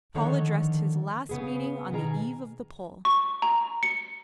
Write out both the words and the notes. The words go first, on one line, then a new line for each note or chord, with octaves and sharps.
Paul addressed his last meeting on the eve of the poll.
D3 D#3 F3 A4 C#5 F#5
C#3 B3 G#4
B2 D#3 G#4 A#5
C#6
A#5
C#7